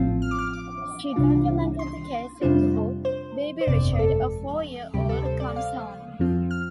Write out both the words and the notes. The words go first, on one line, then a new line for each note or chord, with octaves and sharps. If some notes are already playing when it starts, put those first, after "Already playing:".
She documented the case in the book "Baby Richard - A Four-Year-Old Comes Home".
Already playing: A1 A2 F3 C4 F4
F6
D6
F6
D6
C2 C3 G3 D4 F4
C6
F2 C3 G3 D4 F4 C5
C5
C5
G1 F2 C3 D5
A4
D2 C3 G3 G4
A4
C5
D5
F5
F2 F3 C4 F4
F6